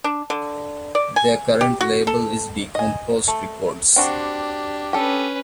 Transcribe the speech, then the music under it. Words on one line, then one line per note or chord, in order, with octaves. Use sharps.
Their current label is Decomposed Records.
D4
D3
D5
G#5
G4
F#4
A4
D#5 G#5
A3
C4 D4 F#4 G4 C5
C#4 G4 A4 B4